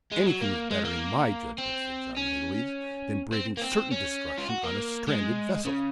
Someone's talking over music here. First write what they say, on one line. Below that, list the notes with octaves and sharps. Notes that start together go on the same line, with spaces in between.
"Anything is better, in my judgment," said John Mangles, "than braving certain destruction on a stranded vessel."
G#3
F#3
A#3
G#3
A#3
C4
C#4
C4
A#3
C4
C#4
F4
F#4
A#3
G#3
C#3